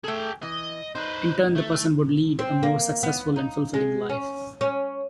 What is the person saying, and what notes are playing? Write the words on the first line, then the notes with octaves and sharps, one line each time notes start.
In turn, the person would lead a more successful and fulfilling life.
A3 G#4 A4 G5
E3 D#5
D#4 B4 C5
A3
C4
A#3
B3
D#4
G#3
C#4
C#4